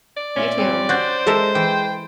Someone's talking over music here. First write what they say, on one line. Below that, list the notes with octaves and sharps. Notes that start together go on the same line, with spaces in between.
You too.
D5
A#2 C#4 E5
G2 C4 C#4
C#4 F#4 C5 G6 A6
G#3 A4 A#4 E5
E3 G5